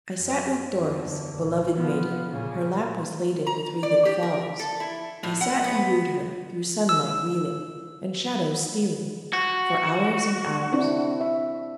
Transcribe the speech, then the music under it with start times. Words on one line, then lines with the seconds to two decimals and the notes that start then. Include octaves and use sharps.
"I sat with Doris, beloved maiden, Her lap was laden with wreathed flowers: I sat and wooed her, through sunlight wheeling, And shadows stealing, for hours and hours."
0.14 F#2
0.86 E2 D3
1.37 A#1
1.75 F3 B3
2.30 A#2 C#3
3.47 A#5
3.83 D5
4.05 G4
4.23 A#4
4.59 A4
4.80 E4
5.23 A2
5.41 F#5
5.64 B3
6.89 E6
9.33 F#4
10.73 C4 D4 E4
11.21 E5